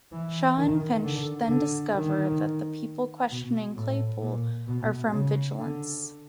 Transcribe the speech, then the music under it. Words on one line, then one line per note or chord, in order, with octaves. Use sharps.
Shaw and Finch then discover that the people questioning Claypool are from Vigilance.
E3
D#3
D3
D3
D#3
B2
A2
A#2
B2
C#3
D3